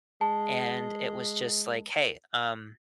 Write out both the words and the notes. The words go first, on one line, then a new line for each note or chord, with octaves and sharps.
and it was just like, "Hey, um"
G#3 A5